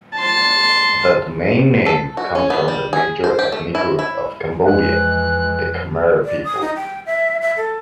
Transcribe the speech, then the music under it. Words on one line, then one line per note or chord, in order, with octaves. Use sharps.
The domain name comes from the major ethnic group of Cambodia, the Khmer people.
A5 C6
A4
F#4
C#4
B3
G3
G#4
C5
G4
A3
E4
E4
F2 E3 G#3 F#6
D5
D#6
D#4
G5
E5
E5
A4